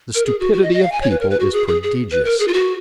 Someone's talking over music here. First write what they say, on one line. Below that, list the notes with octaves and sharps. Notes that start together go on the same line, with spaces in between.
The stupidity of people is prodigious.
A#4
G#4
F#4
F#4
D#5
D#5
F5
G#5
C#5
B4
A#4
B4
F#4
G#4
G#4
G#4
B4
A#4
G#4
F4
F#4